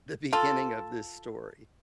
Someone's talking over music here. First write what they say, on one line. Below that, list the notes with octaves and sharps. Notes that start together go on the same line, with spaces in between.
the beginning of this story.
F4 A4